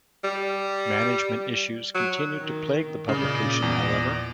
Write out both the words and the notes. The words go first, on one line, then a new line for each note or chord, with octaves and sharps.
Management issues continued to plague the publication, however.
G3
F#3
D#3
A#2 C#3 D5 D#5
E2